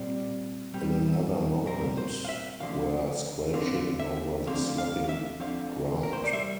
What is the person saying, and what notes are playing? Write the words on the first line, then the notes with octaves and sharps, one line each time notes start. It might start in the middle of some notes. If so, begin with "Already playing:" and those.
In another moment were squelching over the sloppy ground.
Already playing: A#2 G3 C4 D5
A#2 G3 C4
A#2 G3 C4 A#4
C5
F5
E5
D2 D3 F3 C4 F5
D2 D3 F3 C4 F5
E5
D2 D3 F3 C4 F5
F5
F5
E5
D2 D3 F3 C4 F5
A#4
C5
D5
C3 G3 E5